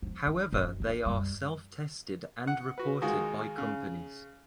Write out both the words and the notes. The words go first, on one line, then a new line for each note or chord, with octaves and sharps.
However they are self tested and reported by companies.
F3 B3
D4
F#2 C#4
B3 D4
F#2 G3
F#5
F#4 B4
D#3 G#3 F4 F#4 G#4
C#3